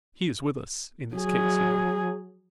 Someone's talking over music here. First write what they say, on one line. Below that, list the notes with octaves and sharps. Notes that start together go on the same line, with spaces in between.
"He is with us in this case, you know."
F#3 G#4